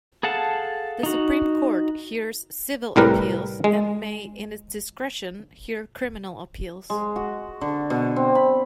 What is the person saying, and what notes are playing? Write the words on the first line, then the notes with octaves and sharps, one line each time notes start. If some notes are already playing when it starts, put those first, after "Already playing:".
The Supreme Court hears civil appeals and may in its discretion hear criminal appeals.
G#4 A4 F5 F#5 A5
D#4 F#4
C2 A2 G3 A#4 B4
G#3
G#3
F#4
D3
B2
C4
B5